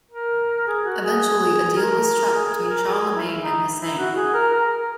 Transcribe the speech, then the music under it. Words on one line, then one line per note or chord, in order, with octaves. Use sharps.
Eventually a deal was struck between Charlemagne and Husayn.
A#4
G#4
F#4
G#4
A#4
G#4
G#4
A#4
G#4
E4
D#4
E4
F#4
G#4
A#4
A#4